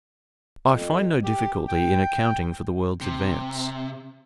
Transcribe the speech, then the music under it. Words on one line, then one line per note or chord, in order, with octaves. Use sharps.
I find no difficulty in accounting for the world's advance.
F2
G4
G5
C3